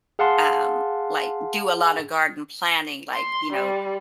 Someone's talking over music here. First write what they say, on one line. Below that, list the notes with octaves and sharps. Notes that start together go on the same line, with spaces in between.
um, like, do a lotta garden planning, like, you know,
G#4 F5 F#5 A5 C6
C6
G3